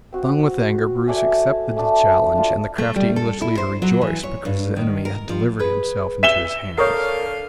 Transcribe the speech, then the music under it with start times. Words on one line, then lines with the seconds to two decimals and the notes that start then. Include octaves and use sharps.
Stung with anger, Bruce accepted the challenge and the crafty English leader rejoiced because his enemy had delivered himself into his hands.
0.13 C4 F#4
1.08 A4 D5 E5 G#5
1.76 A3 D4
2.35 D4 F4
2.78 A3
2.96 G3
3.16 A4
3.41 E4
3.58 C5
3.82 F#3
4.01 E3
4.23 C#5
4.45 G2
4.76 D#3
5.05 A#4
5.29 F3
5.59 G#4 B4
6.23 E5 E7 G7
6.78 D3 A#4 C#5 F5 C#6 D#6